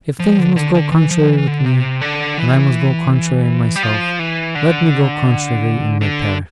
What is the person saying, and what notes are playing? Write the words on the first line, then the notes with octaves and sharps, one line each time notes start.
If thinks must go contrary with me, and I must go contrary myself, let me go contrary in my parish.
F3
D3
D3
D3
E3
F3
E3
D3
C3
D3
E3
G3
F3
E3
D3
D3